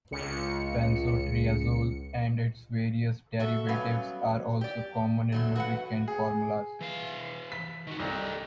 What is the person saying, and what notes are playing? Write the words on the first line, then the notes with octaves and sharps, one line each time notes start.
Benzotriazole and its various derivatives are also common in lubricant formulas.
C#2 C#7
F#4 A4 E5
F#3 G3 B3 C#4 F5
G4 D5
E2 F#3 A3
F#4 B4 E5 F#5
G#4
E3 F5
B6
D#3 F#4
C2 A4 D5 D#5